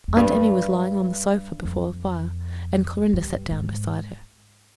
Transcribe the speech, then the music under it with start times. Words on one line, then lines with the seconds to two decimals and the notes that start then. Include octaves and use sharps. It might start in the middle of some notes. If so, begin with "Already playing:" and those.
Aunt Emmy was lying on the sofa before the fire, and Clorinda sat down beside her.
0.08 F2
0.17 G2
1.65 F2
3.13 G2
3.51 G#2